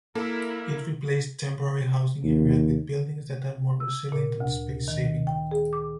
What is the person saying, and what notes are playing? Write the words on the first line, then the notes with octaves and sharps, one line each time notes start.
It replaced Temporary Housing Area with buildings that are more resilient and space saving.
A#3 E4 A4 A#4
D#2
E6
A#2
D2
D#3
G5
G#4
D6